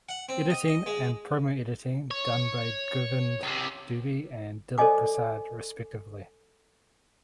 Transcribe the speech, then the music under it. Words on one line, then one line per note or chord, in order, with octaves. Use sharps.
Editing and Promo Editing done by Govind Dubey and Dilip Prasad respectively.
F#5
C4
D#5
D#5
G#3
C#5
C#2 C3
A4 C5 D5 D#5 G#5 D6